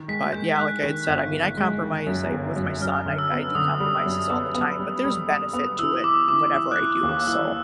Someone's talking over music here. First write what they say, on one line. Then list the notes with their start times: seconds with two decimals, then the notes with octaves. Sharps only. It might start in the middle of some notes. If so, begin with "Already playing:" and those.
but, yeah, like I had said, I mean, I compromise I with my son. I I do compromises all the time, but there's benefit to it whenever I do. So
Already playing: D#3
0.08 G#3 B6
0.33 G#3 G6
0.58 G#3 F#6
0.83 D#3
1.08 G1
1.32 D#3
1.57 G#3
1.82 D#3
2.07 F#2
2.32 G1
2.56 F#2
2.81 F#2 F6
3.06 D3
3.18 E6
3.31 B3
3.55 D3 D#6
3.80 G3
4.05 F#2
4.30 B3
4.55 B3
4.79 G3
5.04 G3 D#6
5.29 G3
5.53 B3 D#6
5.79 E3 E6
6.04 E3 D6
6.28 E3 D6
6.53 E3
6.72 F#6
6.78 E3
6.91 E6
7.03 D#2
7.09 D6
7.27 E3 E6